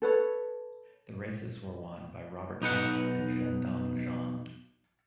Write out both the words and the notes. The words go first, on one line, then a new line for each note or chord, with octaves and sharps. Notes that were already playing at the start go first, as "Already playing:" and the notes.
The races were won by Robert Huff and Zhendong Zhang.
A4 B4 C#5
B1 D#4 B4 F#5